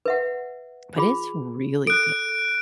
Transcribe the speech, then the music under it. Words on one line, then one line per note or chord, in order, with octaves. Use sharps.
but it's really
B4 E5 F#5
F4 G#4 B5
A4 F#6 D7